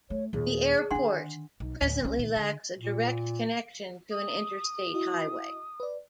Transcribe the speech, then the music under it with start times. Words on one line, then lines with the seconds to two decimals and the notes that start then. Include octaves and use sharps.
The airport presently lacks a direct connection to an Interstate Highway.
0.10 A3 C#5
0.33 D#2 A#2 G#4
0.91 D3 D#3 D4 F#5 C6
1.60 B1
1.81 D2 A2
2.02 C2 C#4
2.17 A#2 D#3
2.36 D3
2.78 A#2
4.11 D#6
4.94 E4 F#4 D#5
5.80 B4 D5